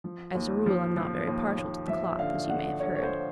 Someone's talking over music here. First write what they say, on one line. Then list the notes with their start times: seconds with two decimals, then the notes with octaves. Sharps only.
As a rule I'm not very partial to the cloth, as you may have heard.
0.04 F3
0.35 D#2
0.66 F3
0.96 F3
1.27 D#2
1.57 D#2
1.88 F3 E5
2.19 D3 F5
2.49 D3 F#5
2.80 D3 C#5
2.96 C#5
3.03 C5